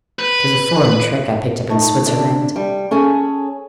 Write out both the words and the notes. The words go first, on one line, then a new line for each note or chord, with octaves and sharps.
'Tis a foreign trick I picked up in Switzerland.
B4
A3 D#4
D3 D4
G3
C#4 G#4 A4 G#5